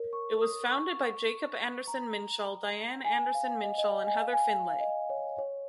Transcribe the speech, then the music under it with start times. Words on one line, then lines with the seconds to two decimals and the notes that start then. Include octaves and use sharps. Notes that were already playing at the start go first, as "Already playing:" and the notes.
It was founded by Jacob Anderson-Minshall, Diane Anderson-Minshall and Heather Findlay.
Already playing: A#4 C#5
0.13 C#6
0.41 D#6
0.71 C#6
1.87 A#5
3.05 G#5
3.25 G#5
3.35 F5
3.63 D#5
3.78 D#5
3.92 D#5
4.07 G#5
4.22 F5
4.33 G#5
4.45 F5
4.56 G#5
4.68 F5
4.80 D#5
5.10 C#5
5.38 C#5